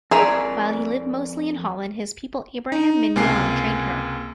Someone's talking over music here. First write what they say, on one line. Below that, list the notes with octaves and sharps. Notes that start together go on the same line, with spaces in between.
While he lived mostly in Holland, his pupil Abraham Mignon trained her.
F2 F3 G#4 A#4 D5 E5 A#5
D#4
C#2 C3 A#3 G#5 C7